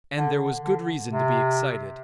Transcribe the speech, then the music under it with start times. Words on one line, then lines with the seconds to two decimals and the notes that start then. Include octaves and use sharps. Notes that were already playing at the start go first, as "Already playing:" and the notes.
And there was good reason to be excited!
0.16 D3
0.63 D3
1.09 C3